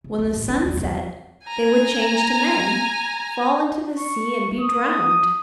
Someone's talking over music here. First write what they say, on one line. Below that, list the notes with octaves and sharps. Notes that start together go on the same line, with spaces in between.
When the sun set they would change to men, fall into the sea, and be drowned.
C#3
D#2
A1
C#4 E4
D#2 G3
E2 C#3
G#5 A#5
C#6
D#6